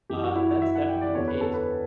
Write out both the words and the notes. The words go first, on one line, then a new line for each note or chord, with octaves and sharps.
uh, that's definitely the case
F#2 E3 G4
F#4
E4
F#4
E5
F#5
G5
D5
E2 D3 C#5
B4
A4
B4